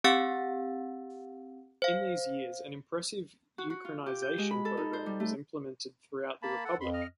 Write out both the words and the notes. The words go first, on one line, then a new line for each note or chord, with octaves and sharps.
In these years an impressive Ukrainization program was implemented throughout the republic.
C4 G4 F5 F#5 E6 A6
C5 F5
F#4
F#4
F4
G4
G6
G#3
B5
A4
D#4
C5
G3
A3
A#3 A5 B5
A4 F#5
F2 B5 C6
D#5 F6